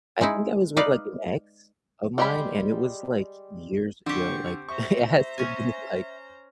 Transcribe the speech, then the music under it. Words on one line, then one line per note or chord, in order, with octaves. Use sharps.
I think I was with like an ex of mine, and it was, like, years ago, like it has to have been like
G#3 D#4 E4
D#4 B4 D5 F5
G3 G#3 G4 G#4 B5
D3 C4 G4 C#6
C5 E5 A#5 C#6
C#4 G#5